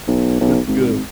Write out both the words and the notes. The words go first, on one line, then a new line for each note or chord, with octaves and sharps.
it's good.
B1
B1
G#1